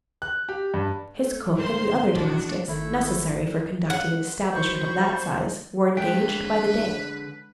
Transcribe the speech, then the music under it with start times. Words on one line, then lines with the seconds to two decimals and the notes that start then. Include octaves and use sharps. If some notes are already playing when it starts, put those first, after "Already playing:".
His cook, and the other domestics, necessary for conducting an establishment of that size, were engaged by the day.
0.22 F#6
0.49 G4
0.74 G2
1.15 A3
1.56 G#2 D3 D#3 G3 C5 C6
2.14 E1 A1 B2 D4 F#4
2.68 G#1 D#3 A3 E4
3.90 F#5
4.51 F#3 C5 B5 C#6 G6
5.97 D3 G#3 G#4 B4 E5 G5 F#6